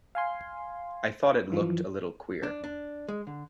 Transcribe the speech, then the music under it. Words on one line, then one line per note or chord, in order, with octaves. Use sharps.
I thought it looked a little queer.
F5 G#5 C6
F#2 E3 F3
D4
D4
G#3
D3